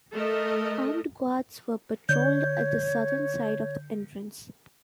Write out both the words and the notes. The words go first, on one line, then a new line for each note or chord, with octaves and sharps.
Armed guards were patrolled at the southern side of the entrance.
A3 A4 A#4 D#5
D3 C#5 G6